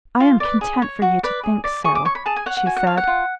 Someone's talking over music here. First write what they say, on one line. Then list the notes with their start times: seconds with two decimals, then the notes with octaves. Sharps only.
'I am content for you to think so,' she said.
0.20 F4
0.40 B4 D5
0.61 G#4
0.82 C#5
1.02 F#4
1.23 B4 D5
1.43 G#4
1.64 D5
1.84 G#4 C#6
1.95 D6
2.05 C#5 C#6
2.15 B5
2.26 G#4 A5
2.36 G#5
2.46 C#5 F#5
2.57 F#5
2.66 F#4 G#5
2.77 F#5
2.87 C#5 F5
2.97 F#5
3.07 F4